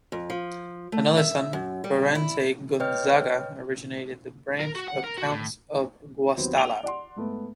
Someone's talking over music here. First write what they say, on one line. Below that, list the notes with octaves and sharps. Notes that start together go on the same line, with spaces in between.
Another son, Ferrante Gonzaga originated the branch of the Counts of Guastalla.
F2
F3
A3
E5
F#2
G3
E4
B4 C#5 D#5 G5 F6
A#4
F#4
F#5
A#4
F#4
A2
D#2 F#3 B3 C4
D7 F7 G7
D5 F#5 C6
G#2 A3 B3